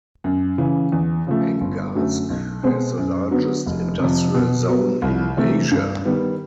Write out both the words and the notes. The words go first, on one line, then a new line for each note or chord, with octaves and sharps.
Angarsk has the largest industrial zone in Asia.
F#2
C#3 E3
E2
C#3 F3 A3
G1
F#2 D3 F#3 A3
B1
B2 G#3 C4
F#2
D3 F#3 B3
F1
F2 C3
B2
F#3 B3
C2
C3 E3 A3
G2
D#3 G3 B3